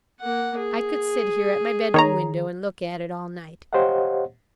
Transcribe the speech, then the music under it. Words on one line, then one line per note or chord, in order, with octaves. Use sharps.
I could sit here at my bedroom window and look at it all night.
A#3 F#5
G#4
D#3 C#5 A#5
G4 C5 C#5 D#5 F5 F#5